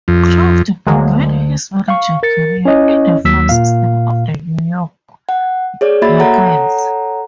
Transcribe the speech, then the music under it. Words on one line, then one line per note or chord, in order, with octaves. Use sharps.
Craft began his managing career in the farm system of the New York Yankees.
F2
D2 F#3 G#3 A#3
F5 C#6
A#4 A6 C#7
C#4 E4 C#5 D#5
D#2 F#3 E6 B6
A#2 F5
F#5
G#4 C#5 D5
A#3 F#4 E5 B5 A6
A4 C#5 F#5 A#5